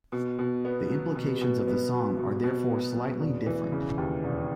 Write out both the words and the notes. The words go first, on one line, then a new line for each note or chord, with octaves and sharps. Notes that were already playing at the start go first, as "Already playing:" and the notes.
The implications of the song are therefore slightly different.
B2
B2
B3
F#3
B2
B2
B3
F#3
B2
B2
B3
F#3
E1
E3
C#3
D#2
E1